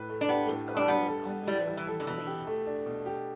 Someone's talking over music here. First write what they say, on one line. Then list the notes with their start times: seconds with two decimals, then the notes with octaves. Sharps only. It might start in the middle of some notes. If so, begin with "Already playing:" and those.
This car was only built in Spain.
Already playing: A2 B4
0.09 A3
0.21 D4
0.29 B3 G4
0.48 A2
0.69 B4
0.77 D4
0.88 G3 B3
1.08 A4
1.28 B3
1.47 G3 E4
1.67 G3
1.77 E3
1.87 A4
2.00 D3
2.07 B2 E3
2.27 G4
2.47 A3
2.67 D4
2.86 B2
3.06 G4